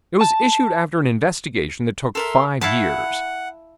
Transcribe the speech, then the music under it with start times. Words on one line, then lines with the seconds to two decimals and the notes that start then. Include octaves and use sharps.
It was issued after an investigation that took five years.
0.21 A5
2.15 A4 A#4 E5 C6
2.61 E4 F5 F#5 A5 B5 C#6